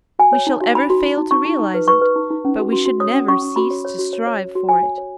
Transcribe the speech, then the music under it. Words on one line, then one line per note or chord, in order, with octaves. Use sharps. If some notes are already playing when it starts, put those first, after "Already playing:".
We shall ever fail to realise it, but we should never cease to strive for it.
F#4 G#5
C#5
D#4
F#4
D#4 B5
F#4
D#4
D#4
D#4 C#6
D#4
D#4
B4
B4 C#6
B4
D#4
D#4
C#4
F#4
F#4
F#4
C#5 D#6
C#4
C#4 C#6
C#4
F#4 B5
C#5
C#5
F#4
C#5
C#5
C#5
F#4
F#4 G#5
C#5
C#5